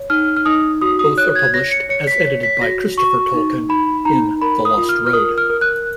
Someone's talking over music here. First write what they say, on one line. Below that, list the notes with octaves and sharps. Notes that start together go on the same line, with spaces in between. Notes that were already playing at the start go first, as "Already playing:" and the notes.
Both are published, as edited by Christopher Tolkien, in "The Lost Road".
Already playing: C#5
D#4 F6
F6
D#4 D#6
F#4 D#6
D#6
C#5 F#6
G#6
C#5 A#6
C#7
C#5 C#7
B6
C#5
B6
F#4 A#6
F#4 C#6
D#4
D#4 B5
D#4 A#5
A#4 B5
D#6
F4
F6
F6
A#4 D#6
F6
A#4
F#6